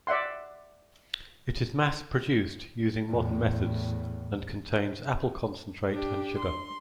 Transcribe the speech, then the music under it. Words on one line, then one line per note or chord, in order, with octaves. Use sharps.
It is mass-produced using modern methods, and contains apple concentrate and sugar.
D5 E5 F#5 C6
E2 A2
D4 G4
C6